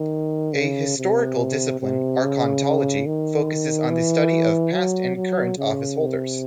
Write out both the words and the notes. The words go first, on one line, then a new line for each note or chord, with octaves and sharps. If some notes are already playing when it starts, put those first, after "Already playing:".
A historical discipline, archontology, focuses on the study of past and current office holders.
Already playing: D#3
C#3
C3
C3
C#3
D#3
E3
F#3
F#3
C#3
C3